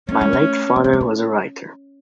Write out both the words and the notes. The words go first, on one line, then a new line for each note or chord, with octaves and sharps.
My late father was a writer.
A3 C#4
G#3
A3
A#3
A3
G#3
A3